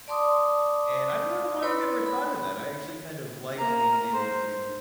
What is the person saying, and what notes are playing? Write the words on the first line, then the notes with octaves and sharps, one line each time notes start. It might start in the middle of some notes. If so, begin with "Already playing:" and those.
and I don't know why I never thought of that. I actually kind of liked being able to,
D5 A5 C6 D6 D#6
E4 B4 C#5 B5 C6
B5
A#3 A#5
C5